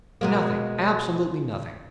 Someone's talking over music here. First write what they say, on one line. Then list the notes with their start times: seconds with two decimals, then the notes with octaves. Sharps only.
Nothing--absolutely nothing.
0.21 B2 G#3 A#3